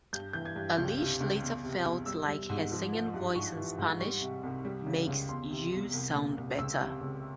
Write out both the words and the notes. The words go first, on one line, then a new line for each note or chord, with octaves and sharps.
Eilish later felt like her singing voice in Spanish "makes you sound better".
G2 G6
E3 G6
G#6
G2
C#2 G6
C3
C#2
E2
C3
E2
G3 E6
G3
G#2
F3
F3
G2
G#2 C#6
E3
G#2
G3 C#6
C3
C2
G3
C#3
C#2
E2 C6
C3
E2
C2
A#2
C2
C#2 E6
C3
C#2